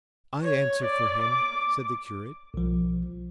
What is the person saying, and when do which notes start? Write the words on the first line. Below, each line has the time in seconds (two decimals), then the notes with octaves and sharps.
"I answer for him," said the curate.
0.43 C#5
0.84 D5
1.22 D6
2.54 B1 F3